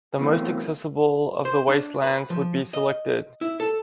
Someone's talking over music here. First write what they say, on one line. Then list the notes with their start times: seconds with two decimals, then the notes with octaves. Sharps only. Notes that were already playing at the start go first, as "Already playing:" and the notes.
The most accessible of the wastelands would be selected.
0.18 B2 E3 F#3 A3 A#3 C4
1.45 C5
1.68 D4
2.04 B4
2.30 F3
2.73 D#5
3.41 E4
3.60 A4